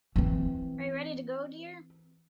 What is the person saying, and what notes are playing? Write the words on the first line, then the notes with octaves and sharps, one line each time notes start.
Are you ready to go, dear?
E3 C4